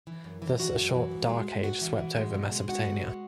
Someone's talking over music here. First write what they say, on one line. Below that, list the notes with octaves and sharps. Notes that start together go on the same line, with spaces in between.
Thus, a short "dark age" swept over Mesopotamia.
E3
F#2
E3
E3 F#4 F#5
F#2
E3
G#2
G#3
G#2
G#2 F#4 F#5
E3
E3
G#3
B2
G#3
G#3 F#4 F#5
B2
G#3